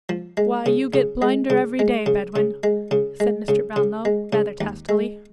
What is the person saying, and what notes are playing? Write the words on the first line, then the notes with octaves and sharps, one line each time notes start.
'Why, you get blinder every day, Bedwin,' said Mr. Brownlow, rather testily.
F3
G#3
C#3
C#3
G#3
C#3
G#3
C#3
C#3
G#3
C#3
G#3
C#3
C#3
G#3
C#3
D#2
G#3